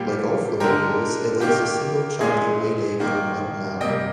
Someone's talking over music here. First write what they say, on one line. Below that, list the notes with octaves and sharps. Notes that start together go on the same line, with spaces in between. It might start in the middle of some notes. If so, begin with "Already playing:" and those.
Like all flamingos it lays a single chalky white egg on a mud mound.
Already playing: A#2 G3 A#3 G4
D3 G#3 G4 A#4
D#3 A#3 G4
A#2 G#3 G#4
D#3 A#3
C3 G3 A#3 D#5 G5